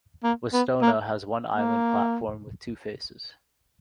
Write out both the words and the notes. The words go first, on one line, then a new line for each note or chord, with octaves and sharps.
Westona has one island platform with two faces.
A#3
B3
A#3
A#3